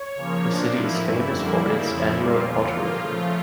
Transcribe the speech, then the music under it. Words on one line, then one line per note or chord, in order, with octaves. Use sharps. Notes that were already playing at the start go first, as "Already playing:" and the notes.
The city is famous for its annual autorally.
Already playing: C#5
C#3 F3 A#3
A#2 F3 A#3 D4
A2 F3 A#3 E4
G2 E3 A3
F2 D3 G3 A#3
C#3 G3 A#3 E4
F2 C#3 F3 E4
A#2 G3 A#3 F4
E2 C#3 E3 F4
A#2 F3 A#3 F4
C#3 F3 A3